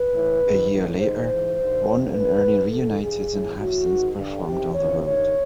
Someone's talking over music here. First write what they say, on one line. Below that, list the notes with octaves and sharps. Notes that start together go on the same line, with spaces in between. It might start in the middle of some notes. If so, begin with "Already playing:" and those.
A year later, Ron and Ernie reunited and have since performed on the road.
Already playing: B4
A2 E3
G#2 D#3
A2 E3
G#2 D#3 C5
G#2 E3
G2 D#3
F2 C3 D#3
A2 E3 B4
F#2 D#3
F2 C#3 E3 A4
G2 E3 G#4
A2 E3
A2 E3 F#4
G#2 D#3
G2 D3
E2 C3 D#3 G4
F2 C#3 E3 C#5
G2 D#3 C#5